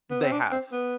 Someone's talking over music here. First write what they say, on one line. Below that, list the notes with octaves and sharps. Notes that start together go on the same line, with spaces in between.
They have.
B3
C4
D4
C4
B3